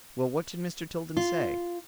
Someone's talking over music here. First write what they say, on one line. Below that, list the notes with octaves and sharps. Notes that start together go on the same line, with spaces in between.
"Well, what did Mr. Tilden say?"
F4